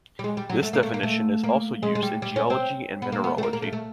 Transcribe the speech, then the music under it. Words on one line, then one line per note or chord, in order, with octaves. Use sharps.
This definition is also used in geology and mineralogy.
G3
G#3
G3
F#3
A3
A#3
A3
A#3
A3
A#3
G#3
G#3
G3
G3
C#4
C4
B3
A#3
B3
A3
A#3
A#3
A3
A3